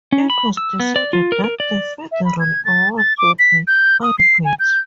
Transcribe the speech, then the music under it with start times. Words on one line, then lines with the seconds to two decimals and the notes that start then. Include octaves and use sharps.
It was decided that the Federal awards would be adequate.
0.12 C#4
0.30 B5
0.57 E6
0.80 B3
0.96 D5
1.13 F4
1.32 A#4
1.44 A#4
1.60 D5
2.12 E5
2.25 B5
2.40 G#6
2.65 A6
2.98 A6
3.18 D6
3.39 B6
3.67 G6
4.03 D#6
4.19 C7
4.45 G#5
4.60 G6